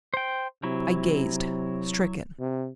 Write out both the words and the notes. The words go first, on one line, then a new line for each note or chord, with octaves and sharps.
I gazed, stricken.
C5 G5
C3 F#3 E4
C3